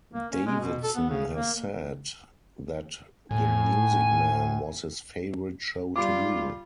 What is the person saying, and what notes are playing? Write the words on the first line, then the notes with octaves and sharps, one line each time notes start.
Davidson has said that "The Music Man" was his favorite show to do.
A#3
C#4
G#3
B2
A4
B3
C#3
A#3
A2 G#5
G3 F4 D6